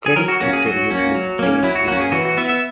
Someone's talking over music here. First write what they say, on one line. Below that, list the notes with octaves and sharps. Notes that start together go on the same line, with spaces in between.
Credit history usually stays within one country.
G#4
F#3 A#4
F#4
A#3 C#4 F#4
G#4
F#3 F#4
A#3 C#4
F#3
A#3 C#4
F#3 E4
F#4
A#3 C#4 F#4
G#4
E3 F#4
F#4
B3 E5
E5